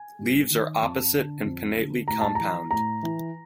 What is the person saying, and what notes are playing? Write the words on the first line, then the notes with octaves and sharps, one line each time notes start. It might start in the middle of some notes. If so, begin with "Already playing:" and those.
Leaves are opposite and pinnately compound.
Already playing: G#5
G2
D#3
F2 A5
D3
F2
D3
A2 A#5
A5
E3 A#5
A2 A#5
E3